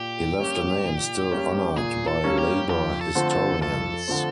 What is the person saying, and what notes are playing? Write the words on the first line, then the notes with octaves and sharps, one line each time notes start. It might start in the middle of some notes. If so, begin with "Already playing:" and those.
He left a name still honoured by labour historians.
Already playing: A#2 G4
G3 A#3 C#4
A#2
G3 A#3 C#4
A#2 G#4
A4
G3 A#3 C#4
G4
F2 G4
A4
D3 F3 A3 C4
A4
F2 A4
D3 F3 A3 C4